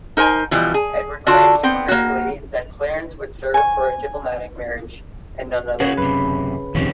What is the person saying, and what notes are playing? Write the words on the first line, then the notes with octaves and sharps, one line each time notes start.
Edward claimed hypocritically that Clarence would serve for a diplomatic marriage and none other.
D#4 A#4 C5 G#5
B2 E3 F3 G3
G#4
D3 D4 F4 F#4
B3 C4 G5
A#3 F#4
G#5 C#6
C#3 F#4 G#4 C#5 F#5
F#2 C3 B4
D#1 F2 C3 D#3 C#4